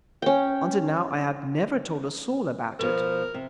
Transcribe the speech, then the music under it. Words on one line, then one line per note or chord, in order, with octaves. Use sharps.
Until now I have never told a soul about it.
C#4 G5
B2 F3 A#4
C3